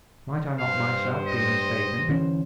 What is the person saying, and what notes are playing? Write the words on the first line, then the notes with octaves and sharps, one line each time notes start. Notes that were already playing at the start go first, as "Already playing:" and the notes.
Might I not myself be mistaken?
G2 C5 F5
D#5
D3 E3 C#4